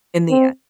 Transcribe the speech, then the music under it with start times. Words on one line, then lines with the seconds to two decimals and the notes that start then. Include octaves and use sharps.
in the end.
0.31 C4